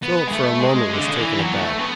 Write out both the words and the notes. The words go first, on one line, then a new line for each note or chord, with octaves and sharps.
Philip for a moment was taken aback.
B3
G#3
A3
G#3
D3
C#3
D3
E3
F#3
B3
A3
B3